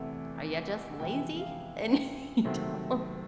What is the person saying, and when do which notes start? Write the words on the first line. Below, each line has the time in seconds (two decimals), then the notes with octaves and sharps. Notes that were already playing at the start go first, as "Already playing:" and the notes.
are ya just lazy? And you don't"
Already playing: E2 C3 E3 A3 C4
1.00 F2 C3 E3 G#3 B3 G5
1.37 F5
2.45 C3 D#3 F#3 A3 C4